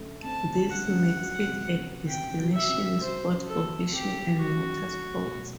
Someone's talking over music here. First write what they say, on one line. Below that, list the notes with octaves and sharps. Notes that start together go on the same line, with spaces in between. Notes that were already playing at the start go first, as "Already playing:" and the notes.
This makes it a destination spot for fishing and water sports.
Already playing: F#2 D3 A3
C4 A5
D3
F#5
F#2
F#3
C3
B3
C3 G5
F#3
E5
C3
F#3 C5
F#2
A4
A3
C4 G4
F#3
F#4
F#2
A3
B2